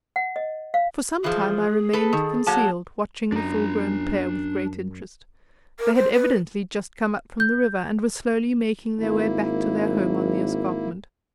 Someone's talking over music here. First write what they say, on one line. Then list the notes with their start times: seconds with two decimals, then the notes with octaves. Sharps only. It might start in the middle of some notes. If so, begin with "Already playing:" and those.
For some time I remained concealed, watching the full-grown pair with great interest: they had evidently just come up from the river, and were slowly making their way back to their home on the escarpment.
0.16 F#5
0.36 D#5
0.74 F5
1.24 E3 F3 G#4
1.93 A4 B4
2.13 D#3
2.47 F#3 A#3 A5
3.32 F#2 D4 A#5
5.79 A#4
5.95 C5
6.13 B4
7.40 G6
8.99 G#1 A#3 E4